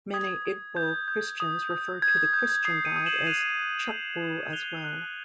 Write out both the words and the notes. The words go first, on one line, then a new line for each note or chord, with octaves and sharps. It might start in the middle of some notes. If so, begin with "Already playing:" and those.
Many Igbo Christians refer to the Christian God as Chukwu as well.
D#6 G#6
D#6
G6
G6
D#6
D#6
G6 G#6
G#6
G6
G#6
D#6 C7
C#7 D#7
D#6
E7 F#7
F#6 D#7 F7
F#6
D#6
D#6
F#6 F7 G7
F#6